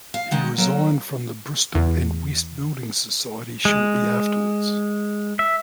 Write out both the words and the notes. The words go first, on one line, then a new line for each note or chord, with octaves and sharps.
He resigned from the Bristol and West building society shortly afterwards.
F5
D#3 G#3 F#5
F#3 A3 A#3
E2
G#3
E5